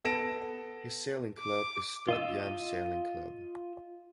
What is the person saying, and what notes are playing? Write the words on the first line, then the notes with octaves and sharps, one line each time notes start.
His sailing club is Sdot Yam Sailing Club.
B3 A4 A5 A#6 D7 E7
D6
F4 D#5 E6